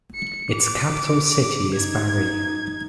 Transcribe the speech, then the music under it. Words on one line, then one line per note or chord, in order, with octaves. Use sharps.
Its capital city is Bari.
C#7
D6
D#4 G#6